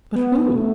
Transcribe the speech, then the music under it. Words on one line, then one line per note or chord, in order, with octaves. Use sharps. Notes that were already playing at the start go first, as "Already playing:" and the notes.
"But who?"
B3
A3